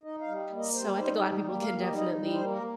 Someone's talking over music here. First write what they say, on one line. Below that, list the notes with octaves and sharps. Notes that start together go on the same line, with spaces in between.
So I think a lotta people can definitely
D#4 D#5
F5
G3
A#3
D#5
G3 C5
D#4 C5
G3 G4
A#3 G4
F5
G3
D#5
D#4
D#5
G3
C5
A#3
A#4